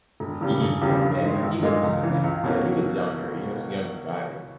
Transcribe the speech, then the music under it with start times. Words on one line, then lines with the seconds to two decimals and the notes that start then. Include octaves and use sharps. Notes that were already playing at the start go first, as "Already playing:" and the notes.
he like, man, like, he wasn't even, like, yeah. He was younger. You know, he was a younger guy. Like,
0.20 E1
0.41 E2 C#3 G3
0.61 E1
0.81 E2 C#3 G3
1.01 G2
1.22 D#3 G#3
1.43 A#1
1.63 A#2 G#3 D#4
1.83 C#2
2.03 C#3 E3
2.23 C#2
2.44 B2 A#3 C#4 E4